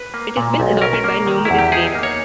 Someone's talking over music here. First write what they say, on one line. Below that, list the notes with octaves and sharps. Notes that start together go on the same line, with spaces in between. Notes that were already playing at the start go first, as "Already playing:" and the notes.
It has been adopted by numerous games.
Already playing: B4
A#3
A#2
B1
C#4 A#4
A#3
D#3
E2 E4
G4
D#4 G#4
A#3
C#5